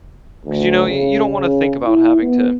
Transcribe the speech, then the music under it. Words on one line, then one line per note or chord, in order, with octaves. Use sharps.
'Cause, you know, you you don't wanna think about having to
D2
C#3
C#3
E4
B3